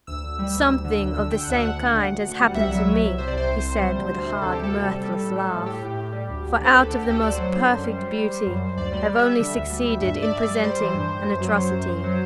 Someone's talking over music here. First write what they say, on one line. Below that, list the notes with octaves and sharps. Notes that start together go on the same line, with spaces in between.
"Something of the same kind has happened to me," he said with a hard, mirthless laugh, "for out of the most perfect beauty I have only succeeded in presenting an atrocity."
D2 E6
D2
G3
D2
D2
D3
D2
D3
D3 G5
F#5
D2 E5
D2 F#5
D2
D2
D2
D2
G3
C2 E5
F#5
F#3 E5
C2
C2
C3 C5
D5
C2 C5
C2
C3
G3
D2
D2
C3
D2 A4
G4
D2
A4
C3
G3
G3
A2
G3
A2
A2 G4
A2
A2
G3
D2
D2
D3 C5
D2 B4
A4
D3 G4
D2 G4
A4
D2 D5
C5
F#3
D3
F#2
G3
G3
G3
G3
F#2
F#2
D2 D5
G3 C5 D5
G3
G3 E5
D3
D2
G3
D2
G2 E5
G2
D5
G2 E5
D5
G3
G3 C5
E3
G2
G2
F#2
F#3
F#2
F#2
F#2
F#3